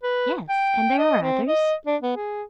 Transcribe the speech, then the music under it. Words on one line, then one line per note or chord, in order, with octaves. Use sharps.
"Yes, and there are others."
B4
G5
D#5
C4
D#5
D4
B3
G#4